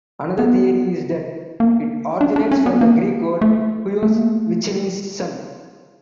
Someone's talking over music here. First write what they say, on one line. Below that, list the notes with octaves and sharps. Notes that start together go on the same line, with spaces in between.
Another theory is that it originates from the Greek word "huios" which means "son".
B3
A#3
D4
D4
C#4
B3
A#3
A3
A3
A#3
A3